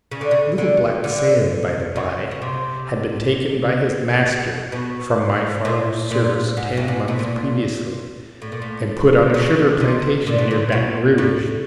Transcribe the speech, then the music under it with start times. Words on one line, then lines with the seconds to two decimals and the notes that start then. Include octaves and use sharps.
Little Black Sam, by the by, had been taken by his master from my father's service ten months previously, and put on a sugar-plantation near Baton Rouge.
0.11 C#3
0.21 D3
0.31 C#3
0.58 D3
1.04 D3
1.96 C#3
2.31 C#3
2.42 C3
4.72 B2
5.65 A#2
6.11 A#2
6.57 G#2
6.77 G2
6.88 G#2
7.08 B2
7.19 A#2
8.42 A2
8.52 A#2
8.62 A2
9.34 B2
9.80 C3
10.27 A#2
10.38 B2
10.51 A#2
10.72 B2
11.18 A2